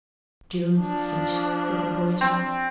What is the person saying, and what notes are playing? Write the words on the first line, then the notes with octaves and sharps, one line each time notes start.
"June," he finished with a boyish laugh.
F3 D4
C4